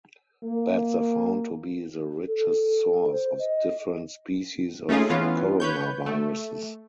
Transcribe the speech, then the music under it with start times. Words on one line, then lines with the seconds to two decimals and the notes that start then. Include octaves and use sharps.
Bats are found to be the richest source of different species of coronaviruses.
0.43 A#3
2.27 A4
3.12 C5
3.39 D#5
4.89 A3 C#4 D#4 F4 G#4
5.10 E3 B3 C#4 F4
5.60 B4 C#5 G6
6.06 A3